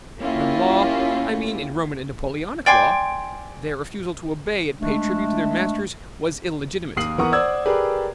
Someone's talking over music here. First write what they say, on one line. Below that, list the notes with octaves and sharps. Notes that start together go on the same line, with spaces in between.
But in law--I mean in Roman and Napoleonic law--their refusal to obey and pay tribute to their masters was illegitimate.
A#3 C#4 E4 F4 G4
D5 G5 G#5 C6
G#3 A3 D4
D#2 A#3 D#6 C7 F#7
E3 B3 A#4 F#5 C#6 D#6
C5 D5 F#5 D#6 E6 G#6
G4 G#4 A#4 B4 D5